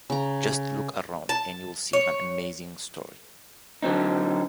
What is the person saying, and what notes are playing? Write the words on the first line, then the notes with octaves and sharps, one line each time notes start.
Just look around and you’ll see an amazing story.
C#3 A#5
A5
C#5
D3 F#3 C4 D#4